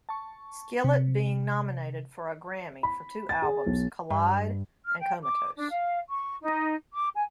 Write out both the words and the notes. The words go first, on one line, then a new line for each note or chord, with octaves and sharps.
Skillet being nominated for a Grammy for two albums Collide and Comatose.
A5 C#6
C3
B5
A6
G#4
B1
G2
F6
G5
D6
D4
F5
C#6
D#4
D6
G#5